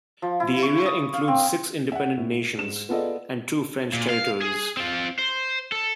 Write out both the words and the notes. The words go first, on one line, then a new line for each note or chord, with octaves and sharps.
The area includes six independent nations, and two French territories.
F3
E4
C#6
D#6
F5
C4
E5 F#5
A2
G#2 E7
B3 F4 G#4 A4 D5 D#5
A#2
F5
G#4
C4 F4
C5
A4